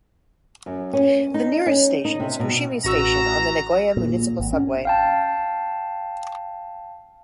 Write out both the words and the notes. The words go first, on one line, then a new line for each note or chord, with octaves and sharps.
The nearest station is Fushimi Station on the Nagoya Municipal Subway.
F#2
C#4
D#4
C#4
D#4
C3
B2
A1 F#4 A#5 E6
A#2
G#1
C#4
F5 G5 A5